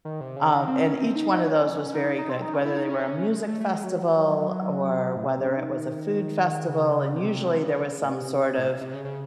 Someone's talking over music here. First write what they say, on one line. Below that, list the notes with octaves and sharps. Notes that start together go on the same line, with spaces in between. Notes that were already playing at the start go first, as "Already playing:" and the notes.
Um, and each one of those was very good, whether they were a music festival or whether it was a food festival. And usually there was some sort of
D#3
C3
C#3
D#3
C4
C#4
C4
D#4
D#4
C#4
D#4
D#4
C4
D#4
C#4
E4
D#4
C#4
A3
G#3
A3
A3
G#3
F#3
A2
C3
C#3
D#3
C#3
C3
C#3
A2
C3
A2
C3
C3
C#3
C#3